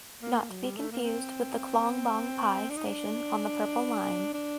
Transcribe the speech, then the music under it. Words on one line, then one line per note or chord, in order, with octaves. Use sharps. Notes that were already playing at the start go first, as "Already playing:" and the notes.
Not to be confused with the Khlong Bang Phai station on the Purple Line.
A#3
F#3
G3
A3
A#3
C4
D4
D#4
D4
D4